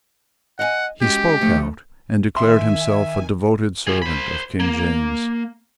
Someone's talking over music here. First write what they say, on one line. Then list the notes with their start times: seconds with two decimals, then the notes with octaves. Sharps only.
He spoke out, and declared himself a devoted servant of King James.
0.59 D#5 F5 F#5 G#5
1.02 G#3 C#4 F#4 G4
1.41 D3 F3 A3
2.36 D#3 E5 G#5 C6
3.87 F4 G#4
4.02 C5 B5
4.60 A#3